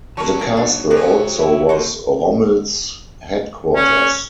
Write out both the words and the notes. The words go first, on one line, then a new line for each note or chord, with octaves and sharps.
The castle also was Rommel's headquarters.
G#2 F#3 A#4 A5 C#6
A#3 G#4 A#4
D4
C3 F#3 F#4 G#4 A#4
E4
F#4 A4 C5 C#5
C#4